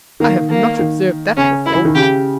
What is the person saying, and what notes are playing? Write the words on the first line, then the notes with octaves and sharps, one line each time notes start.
I have not observed that before.
D#3 A#3
A#3
D#3
C#3 C#4
E4
E3
D#3
C#3 G4